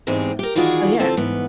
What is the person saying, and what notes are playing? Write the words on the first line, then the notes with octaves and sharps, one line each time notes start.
Oh yeah.
E2 G#2 G#3 C4 G4 G#5
G4 A#4
D#3 E3 D4 F4 F#4 G#4
C4 F4 A4
G#2 E3 B3